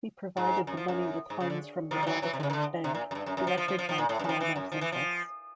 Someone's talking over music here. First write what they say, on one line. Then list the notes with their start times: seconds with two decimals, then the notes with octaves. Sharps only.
He provided the money with funds from the Vatican Bank directed by Paul Marcinkus.
0.37 G#2
0.67 F#2
0.77 F3
0.88 F#2
1.30 G#2
1.40 C#3
1.50 D3
1.91 D#3 F3
2.03 G3
2.07 E3 F#3
2.22 E3 F#3
2.33 C3
2.40 D3
2.43 C#3
2.50 D#3
2.53 D3
2.84 C3
2.95 A#2
3.11 F#2
3.15 G2
3.26 F#2
3.37 F#2
3.47 F3
3.57 F3
3.68 F3
3.78 F3
3.89 F3
3.98 A#2
4.09 A2
4.19 G2
4.24 F#2
4.29 F3
4.40 E3
4.56 F#2
4.72 F3
4.81 E3
4.92 F3